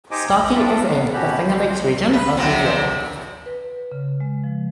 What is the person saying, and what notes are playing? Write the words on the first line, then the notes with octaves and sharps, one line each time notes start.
Starkey is in the Finger Lakes Region of New York.
D#4 G4 C5 D#5 G#5 D6
D2
A3 D4 F4 A4 A#4 E5
C3 B3 F5
F3 C#4 F#4 G4 B5
G#3 C6 G6
B4
F#2 C3 F3
B4
C#3
G#3
F3